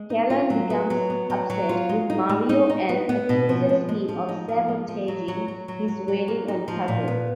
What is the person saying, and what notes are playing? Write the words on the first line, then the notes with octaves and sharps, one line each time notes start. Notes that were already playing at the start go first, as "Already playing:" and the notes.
Kalyan becomes upset with Mario and accuses him of sabotaging his wedding on purpose.
Already playing: G#3
D#4
F4
F#3
B3
F#3
B3
F#3
F#3
F4
G#3
D#4
G#3
D#4
D#4
B3
B3
B2
F3
G#3
G#3
F3
D#4
F3
G#3
F3
F#3
F#3
F#3
F#3
F#3
F#3
A#3
D#4
F3
A#2
B3